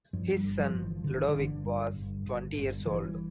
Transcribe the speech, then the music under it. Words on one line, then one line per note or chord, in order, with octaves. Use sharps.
His son Ludovic was twenty years old.
G2 F3
G3
G1
F3
G1
E3
G1 D3
E3
D3
G1
G2
G1
G1
G1
G1 E3